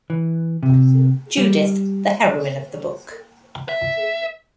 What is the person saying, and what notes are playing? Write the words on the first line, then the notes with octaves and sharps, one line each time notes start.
Judith, the heroine of the book.
E3
C3
G3
E5